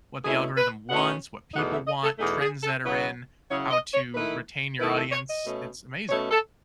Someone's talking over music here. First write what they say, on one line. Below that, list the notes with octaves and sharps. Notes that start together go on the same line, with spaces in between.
What the algorithm wants, what people want, trends that are in, how to retain your audience, it's amazing.
B2 A3 C#4 E4 G#4
B4
B2 A3 C#4 E4 F#5
E2 B2 A3 D#4 F#5
E5
D#5
A4
E2 B2 A3 D#4 G#4
G#4
A4
C#3 F#3 C#4 E4 B4
C#3 F#3 C#4 E4 C#5
D#5
C#5
D#3 A3 E4 B4
D#3 A3 E4 B4
A4
C#5
D#5
B2 A3 C#4
B2 A3 C#4 C#5
A4